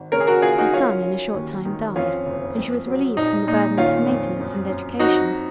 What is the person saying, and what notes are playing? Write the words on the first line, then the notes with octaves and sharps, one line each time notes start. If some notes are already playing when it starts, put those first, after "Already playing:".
Her son in a short time died, and she was relieved from the burden of his maintenance and education.
Already playing: G#1
C#3 A#4 C#5
G#4
F#4 A#4
C#3 F4 G#4
D#4 F#4
F#3 C#4 F4
F#3
D#2
D#3
F2 C#4 F4
F#1
F2
F#3
A#1 D#4
A#2 D#4
D#3 C#4 F4
F2
F#2
F#2
F2 D#4 F#4